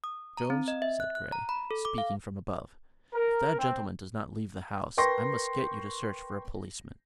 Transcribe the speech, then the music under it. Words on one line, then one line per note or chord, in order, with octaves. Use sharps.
"Mr. Jones," said Grey, speaking from above, "if that gentleman does not leave the house, I must get you to search for a policeman."
D#6
A#5
C4
D#5
E5
F#6
F#6
A#5
B5
A4
D6
F5
A#4
C4
A#4 B4 G5 C6 C#6 A#6